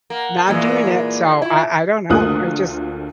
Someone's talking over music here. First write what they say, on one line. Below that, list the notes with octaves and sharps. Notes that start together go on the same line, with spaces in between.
not doing it, so, I I don't know, I just
A#3 F#5
A#2 E3 G#3 A#3
E4 F4
D2 A3 A#3 F4 D#6 F#6